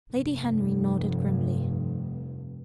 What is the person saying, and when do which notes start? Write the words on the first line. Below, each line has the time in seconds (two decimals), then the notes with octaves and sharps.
Lady Henry nodded grimly.
0.13 F1 G2